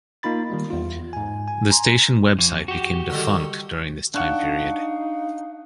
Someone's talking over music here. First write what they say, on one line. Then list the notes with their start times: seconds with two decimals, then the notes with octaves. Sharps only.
The station website became defunct during this time period.
0.23 A#3 D#4 F4 B5 A6
0.50 D#3 G3 A#3
0.70 E2 F4
1.13 G#2 G#5
1.48 G#5
1.70 G#5 A#5 C6
2.39 F2
2.68 F#4 G4
3.10 D3 D#3 G3
4.14 D4 D#4 F5 F#5 C#6 F#6